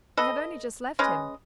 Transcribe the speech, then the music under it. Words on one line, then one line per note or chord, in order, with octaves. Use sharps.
"I have only just left him."
A4 B4 D#5
G#3 C#4 B4 D#5